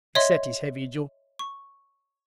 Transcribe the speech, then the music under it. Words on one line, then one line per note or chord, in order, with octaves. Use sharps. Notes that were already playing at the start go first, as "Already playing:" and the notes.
He set his heavy jaw.
C#5 D#5 E5 C6
C#6